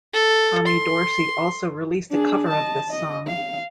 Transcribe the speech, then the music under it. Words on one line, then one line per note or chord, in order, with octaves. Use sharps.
Tommy Dorsey also released a cover of this song.
A4
C6
D4 G#4
D#5 A5
D#5
F5